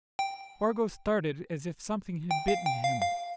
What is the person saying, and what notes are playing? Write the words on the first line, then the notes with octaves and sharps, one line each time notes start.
Spargo started as if something had bitten him.
G5
G5
F5
G5
F5
F5